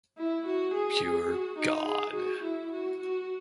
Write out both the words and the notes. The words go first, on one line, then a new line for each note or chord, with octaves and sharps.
Pure god.
E4
F#4
G#4
F#4
D#4
G#4
F#4
E4
F#4
F#4